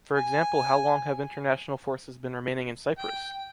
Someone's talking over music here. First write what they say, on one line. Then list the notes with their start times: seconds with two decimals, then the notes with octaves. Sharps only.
For example how long have international forces been remaining in Cyprus?
0.14 G#5
2.98 G5